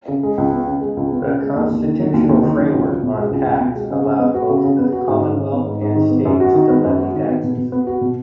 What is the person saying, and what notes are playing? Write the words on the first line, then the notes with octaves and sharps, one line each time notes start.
The constitutional framework on tax allowed both the Commonwealth and States to levy taxes.
C#3
G#3
C#2
B3
C#3
G#3
C#2
B3
C#3
G#3
D#2
D#2
D#3
F#3
D#2
D#2
D#3
F#3
C#2
C#2
B2
G#3
C#2
C#2
B2
G#3
C#3
C#3
B3
F#4
C#3
C#3
B3
F#4
G#2
G#2
D#3
B3
G#2
G#2
D#3
B3
F#2
F#4
D#3
B3
F#2
F#4
D#3
B3
B2
B2
B3
F#4
B2